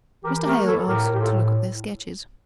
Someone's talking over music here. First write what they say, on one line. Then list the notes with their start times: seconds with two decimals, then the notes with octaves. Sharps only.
Mr. Hale asked to look at their sketches.
0.23 E3 G4 A#4
0.45 A3 G4 A#4
0.66 E3 A4 C#5
0.88 A2 G4 A#4
1.09 A2 G4
1.19 F4 A4
1.31 A2